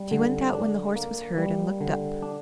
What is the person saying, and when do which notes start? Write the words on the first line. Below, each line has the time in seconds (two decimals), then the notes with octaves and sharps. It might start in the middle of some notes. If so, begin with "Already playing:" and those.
She went out when the horse was heard, and looked up.
Already playing: G3
0.11 D3
0.54 D4
0.96 A#3
1.38 G3
1.81 D3
2.22 D4